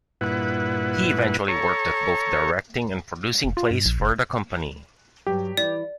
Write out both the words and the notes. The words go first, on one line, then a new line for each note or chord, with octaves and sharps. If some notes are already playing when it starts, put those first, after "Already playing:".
He eventually worked at both directing and producing plays for the company.
G2 A#2 E4 B4 F#5
A4 C#5 A#5 C#6
F1
F4
G2
A#1
F1
G2 F#3 G4
E3 E4 D5